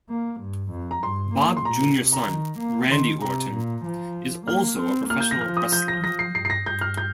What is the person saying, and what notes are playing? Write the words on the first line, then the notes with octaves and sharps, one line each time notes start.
Bob Jr.'s son, Randy Orton, is also a professional wrestler.
A#3
G2
F2
A#5
G2 C6
A#3
C6
A#2 A#5
C3
A#5
D#3
A#3
D#3 C6
C3 A#5
A#2
F3
A#3 F6
C4
A#3 F6
G6
A#6
F3 F6
D#6
G6
A#6
F3 A#6
C7
G2 C7
C7
A#6
G2 G6
F6
G6